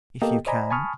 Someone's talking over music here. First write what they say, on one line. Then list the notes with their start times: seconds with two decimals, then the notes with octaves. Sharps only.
"If you can."
0.22 A#3 B3 G4 A4 D#5 G5
0.46 C5 D5 D#5 G#5 A#5 B5
0.71 G#5 A5 B5 C#6 D#6 F6